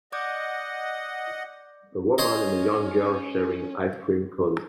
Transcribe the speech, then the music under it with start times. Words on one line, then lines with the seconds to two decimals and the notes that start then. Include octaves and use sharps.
A woman and a young girl sharing ice cream cones.
0.12 D5 D#5 F#5 D6 G6
2.18 C#4 C5 C#5 D#5